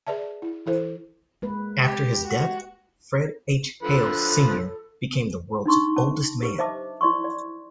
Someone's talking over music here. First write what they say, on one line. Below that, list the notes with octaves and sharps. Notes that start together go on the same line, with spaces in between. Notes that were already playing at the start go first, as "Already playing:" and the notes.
After his death, Fred H. Hale, Senior became the world's oldest man.
G#4 B4 D5 E5 A5
E4
E3 E4 A4 C5
G#3 A#3 B4
G4
F#4
D3 F3 A4 B4
D4 D#4 C6 C#6
C#4 A5
G4 B4
C5 D#5 E5 A5 D6
E4 D5 C6 C#6
D5